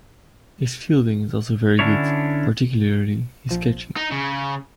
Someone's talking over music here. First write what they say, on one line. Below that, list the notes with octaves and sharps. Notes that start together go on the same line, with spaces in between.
His fielding is also very good, particularly his catching.
D3 C#4 D4 E4 C#5
A#1 F3
D#4 A#5
C#3